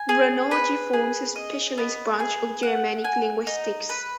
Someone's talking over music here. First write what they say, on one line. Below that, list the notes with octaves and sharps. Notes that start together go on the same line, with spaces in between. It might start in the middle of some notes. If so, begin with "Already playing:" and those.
Runology forms a specialized branch of Germanic linguistics.
Already playing: G#5
G#4
B4
G#4
D#5
B3
G#4
F#5
G#5
D#4
B4